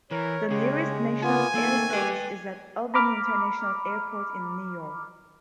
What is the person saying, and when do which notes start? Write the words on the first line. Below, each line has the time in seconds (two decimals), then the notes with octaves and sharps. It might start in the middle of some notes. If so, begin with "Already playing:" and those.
The nearest national air service is at Albany International Airport in New York.
0.11 E3 A#4 C#5
0.51 C#3 G#3 G4
1.23 A#3 B3 F4 G#5
1.55 D#3 A3 A#3 A4
1.90 G4 B4 G5
2.94 A#5 B5 D6 F6